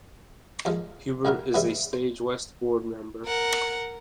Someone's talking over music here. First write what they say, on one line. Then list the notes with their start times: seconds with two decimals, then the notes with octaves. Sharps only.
Huber is a Stage West board member.
0.65 D#2 F3 G#3
1.25 C2 G3 E4 F#4 A#4
1.54 G2 C#3 E3 G3 G#3 E4
1.93 C5
3.26 A#4 F#5